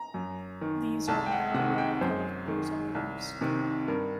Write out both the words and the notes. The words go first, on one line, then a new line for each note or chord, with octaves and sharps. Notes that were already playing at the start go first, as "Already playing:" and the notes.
These are now rare collector's items.
Already playing: A#5
F#2
D#3
C2 A5
G5
F#5
C3 D#3 F#5
G5
F#2 C5
D#3
C2
C3 D#3
G2 A#4